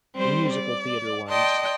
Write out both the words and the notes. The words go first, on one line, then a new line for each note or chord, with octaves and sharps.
The musical theater ones.
G3 C4 C5
D5
D5 D#5 G5 A5 C6